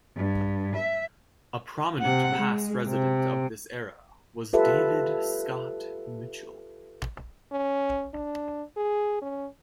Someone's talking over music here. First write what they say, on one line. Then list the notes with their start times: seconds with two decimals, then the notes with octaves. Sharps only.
A prominent past resident of this era was David Scott Mitchell.
0.16 G2
0.76 E5
2.01 C3 F#5
2.36 G#3
2.88 C3
4.53 F4 G4 A4 B4 E5
7.52 C#4
8.14 D4
8.77 G#4
9.22 C#4